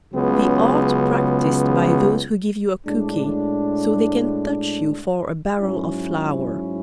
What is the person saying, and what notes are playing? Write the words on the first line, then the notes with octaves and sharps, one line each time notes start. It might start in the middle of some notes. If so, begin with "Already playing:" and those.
The art practiced by those who give you a cookie so they can touch you for a barrel of flour.
C#2 C#3 F#3 B3
A2 G#3 D4
G#2 F#3 C#4 E4